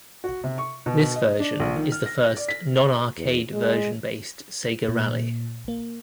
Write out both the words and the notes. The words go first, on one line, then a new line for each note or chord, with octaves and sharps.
This version is the first non-arcade-version-based Sega Rally.
F#4
C3
C#6
B2
D#5
D4
A#1
D#3
F6
A#6
D5
B6
E2
G#3
A#2
A#3